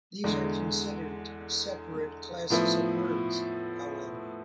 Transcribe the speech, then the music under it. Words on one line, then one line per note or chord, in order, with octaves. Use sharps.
These are considered separate classes of words, however.
E2 D3 G#3
A2 F3 B3 E4